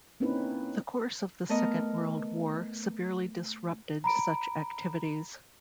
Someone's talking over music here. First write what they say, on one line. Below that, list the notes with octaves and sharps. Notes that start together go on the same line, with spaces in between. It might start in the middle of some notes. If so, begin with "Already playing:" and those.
The course of the second world war severely disrupted such activities.
A#3 C4 C#4 D#4 E4 B4
A3 B3 A#4 D#5
A#5 B5 D7